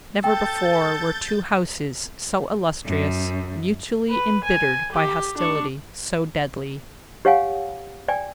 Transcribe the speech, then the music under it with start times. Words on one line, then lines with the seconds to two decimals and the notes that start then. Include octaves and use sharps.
Never before were two houses so illustrious, mutually embittered by hostility so deadly.
0.24 A4 G5 G6 A6
2.86 F#2
4.10 B4
4.43 G#5
4.92 G4
5.37 D4 C#6
7.25 G4 C#5 F5 F#5 G#5
8.08 D5 G5 G#5